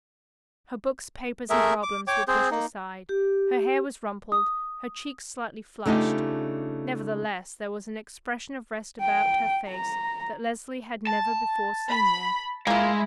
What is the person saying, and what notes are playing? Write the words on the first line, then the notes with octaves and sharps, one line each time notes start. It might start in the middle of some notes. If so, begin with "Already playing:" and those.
Her books, papers, and problems were pushed aside; her hair was rumpled, her cheeks slightly flushed; nevertheless, there was an expression of rest about her face that Leslie had never before seen there.
A3 G#4 A#4 E5
D6
C#5 G5 D6
C4 G#4 C5
A#3 D#4
G4
D#6
C#3 A3 D4 D#4 F4 G4
G5
A#5
A5
B5
G#3 A#3 E4 F4